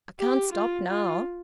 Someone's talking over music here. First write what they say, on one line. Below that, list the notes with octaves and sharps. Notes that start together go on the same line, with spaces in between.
"I can't stop now."
G4
F4
F4